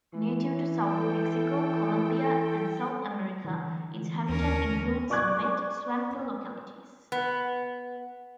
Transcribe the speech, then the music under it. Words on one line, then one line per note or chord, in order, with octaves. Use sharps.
Native to south Mexico, Colombia and South America, its habitat includes wet, swampy localities.
E3
A4 G5
D3 E3
D#2 C#4 A#4
D5 C#6 D6 F#6 G#6
B3